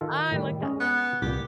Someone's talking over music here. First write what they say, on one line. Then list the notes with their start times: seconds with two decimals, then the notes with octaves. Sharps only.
I like that.
0.01 D#3 F4 A4
0.32 A2 D#3 G3
0.61 G#3 C#4 D#5
0.80 B3
1.22 C2 A#2 G4